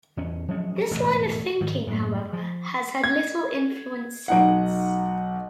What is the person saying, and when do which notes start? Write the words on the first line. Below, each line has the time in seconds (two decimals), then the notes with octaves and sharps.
This line of thinking, however, has had little influence since.
0.17 E2 C#4
0.48 F3 F#3 G#3 C#4
0.91 E1 A1 G#2 E3
1.61 G#2 D#3 F3
1.87 F#2 A2 A#3
2.33 F3
3.04 G#6
4.28 B1 D#4 F#5